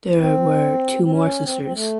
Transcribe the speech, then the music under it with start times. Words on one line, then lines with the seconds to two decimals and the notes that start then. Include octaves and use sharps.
There were two more sisters.
0.19 C4
1.03 C4
1.11 C#4
1.42 C4
1.62 C4
1.73 A3